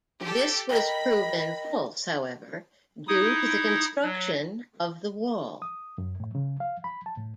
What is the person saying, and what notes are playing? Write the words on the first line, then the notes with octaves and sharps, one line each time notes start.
This was proven false however due to the construction of the wall.
G4 A4
A#4 D#5 G5 B5
D#4 E4 D#6
F#3
D#6
F#2
A2
C#3
F5
B5
A5
A2